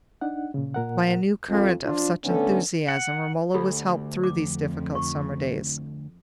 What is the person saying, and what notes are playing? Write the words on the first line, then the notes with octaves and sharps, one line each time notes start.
By a new current of such enthusiasm Romola was helped through these difficult summer days.
D4 D#4 F#5
A#2 C#3
A#2 A#4 F#5
F2
F3 D4 F4
D3 A3 B3 C#4 A4
F#5
D2 G4 A4 B5
F2 D6
C#6